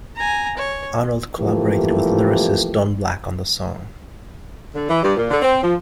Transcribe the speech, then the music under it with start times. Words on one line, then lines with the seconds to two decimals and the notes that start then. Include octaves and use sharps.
Arnold collaborated with lyricist Don Black on the song.
0.16 G#5 A#5
0.57 C#5
1.39 C2 E3 F3 A3 A#3 G4
4.75 D3
4.89 E3
5.02 G2
5.16 A#2
5.30 D3
5.42 C4
5.62 F3